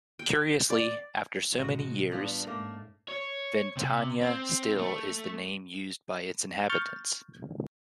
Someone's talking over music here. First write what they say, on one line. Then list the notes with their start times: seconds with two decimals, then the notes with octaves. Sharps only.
Curiously, after so many years, Ventania still is the name used by its inhabitants.
0.19 G5
0.70 D5
1.55 A1 C3 F#3 G#3 F#4
2.11 G3 B3 D4 F4
2.47 G#2 A3 A#3 C#4
3.08 C#5
3.77 C3
4.21 C4
4.78 A3
6.70 C#6 F6 G6 A6